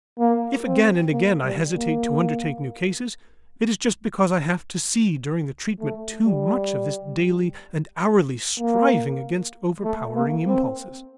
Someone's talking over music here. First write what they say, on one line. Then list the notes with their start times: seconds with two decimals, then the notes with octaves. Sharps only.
If again and again I hesitate to undertake new cases, it is just because I have to see during the treatment too much of this daily and hourly striving against overpowering impulses.
0.19 A#3
0.66 C4
1.12 A#3
1.44 G3
1.75 A#3
5.80 A3
6.26 G3
8.60 A#3
9.84 A3
10.15 A#3
10.47 C4